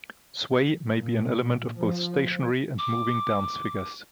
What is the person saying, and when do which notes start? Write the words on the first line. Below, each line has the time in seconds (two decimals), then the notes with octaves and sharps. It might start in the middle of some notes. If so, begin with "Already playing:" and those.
Sway may be an element of both stationary and moving dance figures.
0.97 A#2
1.78 F3
2.79 D6